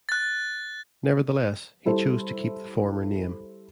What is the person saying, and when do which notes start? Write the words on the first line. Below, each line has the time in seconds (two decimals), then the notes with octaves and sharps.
Nevertheless, he chose to keep the former name.
0.09 F#6 A6
1.85 G3 E4 A4 C5